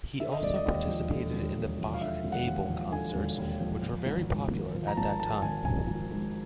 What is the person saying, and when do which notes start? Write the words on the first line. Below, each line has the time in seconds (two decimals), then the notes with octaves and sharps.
He also participated in the Bach-Abel Concerts which were very popular at that time.
0.19 D3 E5
0.32 D#5
0.42 E1 D5
0.56 D#5
0.65 D#2
0.87 F3
1.10 D3
1.34 E1
1.55 D#2
1.78 F3
1.94 F5
2.01 D3 E5
2.24 E1
2.32 F#5
2.47 D#2
2.70 F3
2.92 D3 G#5
3.15 E1
3.38 D#2
3.61 F3
3.83 F3
4.06 G#1
4.29 G#2
4.51 G#1
4.75 F3
4.87 A#5
4.97 G#1 A5
5.20 G#2 A5
5.42 G#1 G#5
5.65 F3 G#5
5.87 G#1
6.11 G#2